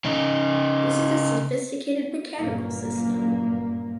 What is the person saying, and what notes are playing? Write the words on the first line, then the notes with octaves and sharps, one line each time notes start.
This is a sophisticated mechanical system!
C#3 D#4
G1 F#2 A#2 A#3